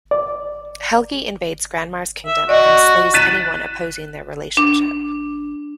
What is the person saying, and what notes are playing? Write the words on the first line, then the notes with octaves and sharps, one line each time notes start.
Helgi invades Granmar's kingdom and slays anyone opposing their relationship.
D5
E5
F#4 D5 D#5
F#6 A6 B6 D#7 E7
D4